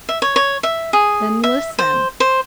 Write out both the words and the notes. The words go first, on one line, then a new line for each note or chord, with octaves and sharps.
"Then, listen!"
E5
C#5
C#5
E5
G#4
E5
C5
C5